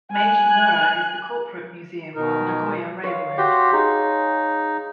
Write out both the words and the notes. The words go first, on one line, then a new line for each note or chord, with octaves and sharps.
Meiji Mura is the corporate museum of Nagoya Railroad.
G#5 F#6
B2 D#3 D#4 A#4
C#5 F5
F#4 G4 C6
D#4 G#4 C#5 F5